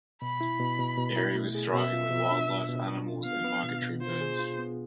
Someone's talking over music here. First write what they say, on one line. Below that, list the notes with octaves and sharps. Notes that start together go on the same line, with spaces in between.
Area was thriving with wildlife animals and migratory birds.
B2 B5
E4
B2
B2
B2
E4
A3
G#4
B2 E5
F4
B2
D4
B2
B2
D4
F4
B3 F5
B3
B2
B2
F4 C5
G#4
F4
B3